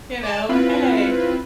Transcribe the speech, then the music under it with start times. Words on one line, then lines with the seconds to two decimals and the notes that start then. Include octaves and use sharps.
you know hey,
0.23 D5 A5
0.49 C4 E4 F4 B4